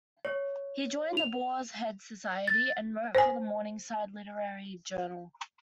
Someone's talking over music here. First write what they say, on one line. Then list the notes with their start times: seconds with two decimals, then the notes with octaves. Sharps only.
He joined the Boar's Head Society and wrote for the "Morningside" literary journal.
0.25 C#5
1.17 F7
2.48 A6
3.15 C5 G#5